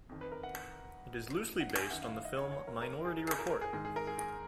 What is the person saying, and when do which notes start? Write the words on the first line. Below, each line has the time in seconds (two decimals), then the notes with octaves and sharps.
It is loosely based on the film "Minority Report".
0.09 F2 D#3
0.21 B4
0.32 A#4
0.43 F#5
1.60 F#5
1.76 G#5
1.90 F#2 D#3 F#5
2.02 F5
2.13 F5
2.25 D#5
2.37 C#5
2.52 C#5
2.67 A#4
2.82 A#4
3.05 G#4
3.27 G#4
3.39 A#4
3.50 A#4
3.61 G#4
3.73 G#2 D#3 G#4
3.85 G#4
3.96 A#4
4.07 G#4
4.18 G#4